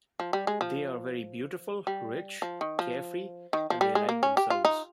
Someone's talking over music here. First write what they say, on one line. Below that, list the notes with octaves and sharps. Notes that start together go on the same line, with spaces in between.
They are very beautiful, rich, carefree and they like themselves.
F3
G3
G#3
F3
G3
F3
D#3
F3
D#3
F3
G3
G#3
A#3
C#4
G4
F4
D#4